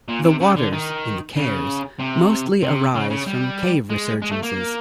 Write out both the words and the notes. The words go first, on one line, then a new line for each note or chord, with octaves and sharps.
The waters in the Cares mostly arise from cave resurgences.
A#2
C3
C#3
D3
D#3
C#3
C3
C3
C#3
C#3
G3
G#3
G#3
A3
A#3